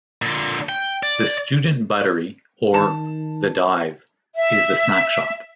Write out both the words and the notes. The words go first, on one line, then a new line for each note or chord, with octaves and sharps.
The student buttery, or "The Dive", is the snack shop.
A#2 D3
G5
D5
D#3 A5 E7
E5